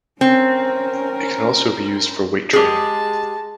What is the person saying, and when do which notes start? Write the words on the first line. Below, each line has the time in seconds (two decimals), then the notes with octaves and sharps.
It can also be used for weight training.
0.21 C4 C#4 A#4
2.53 G#3 G4 G#4 A5